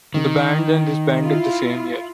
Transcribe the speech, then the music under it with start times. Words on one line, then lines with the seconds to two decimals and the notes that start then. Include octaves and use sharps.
The band then disbanded the same year.
0.14 D#3
1.24 E4 F4